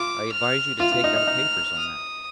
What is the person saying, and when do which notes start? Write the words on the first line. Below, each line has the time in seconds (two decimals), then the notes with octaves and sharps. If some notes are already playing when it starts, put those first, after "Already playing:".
"I advise you to take out papers on that."
Already playing: F4 D6
0.32 F6
0.80 F4 F6
0.92 F4
1.04 D#4
1.16 D#4
1.27 D#4
1.76 D#6